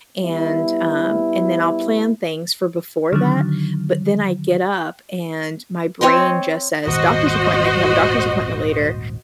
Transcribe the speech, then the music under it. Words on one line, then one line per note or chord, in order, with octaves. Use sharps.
and, um and then I'll plan things for before that, but then I get up and my brain just says, "Doctor's appointment, you have a doctor's appointment later,"
G3 B3 E4
D3 D#3 F#3
C4 C#5 D#5 C6
D#1 G#1 A#2 F#4 C5 D#5